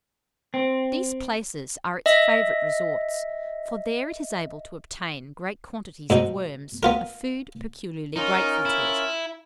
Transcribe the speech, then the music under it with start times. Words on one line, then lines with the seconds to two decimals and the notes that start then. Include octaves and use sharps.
These places are its favourite resorts; for there it is able to obtain great quantities of worms, a food peculiarly grateful to it.
0.54 C4
2.06 D#5 E5
6.10 G#2 B2 D#4
6.83 B3 F4 A#4
8.16 C#4 D#4 F4 A#4
8.65 E4